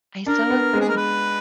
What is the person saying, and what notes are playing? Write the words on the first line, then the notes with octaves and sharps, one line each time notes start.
I so agree.
D4 A#4
B3
G#3
G#4
A#4
B4